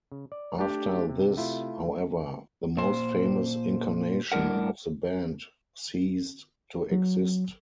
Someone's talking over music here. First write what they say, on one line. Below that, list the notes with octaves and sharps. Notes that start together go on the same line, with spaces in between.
After this, however, the most famous incarnation of the band ceased to exist.
C#3
D5
A3 D4 G4
C3
A3 E4 F4
A#2 C5
A2 G3 D4 A#4 F#5
F#3